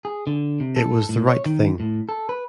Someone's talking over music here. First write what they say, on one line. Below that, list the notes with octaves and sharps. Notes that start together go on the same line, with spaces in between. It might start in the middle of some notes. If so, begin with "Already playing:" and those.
It was the right thing.
G#4
D3
C3
A4
A2
C#5
D#3
A2
A4
B4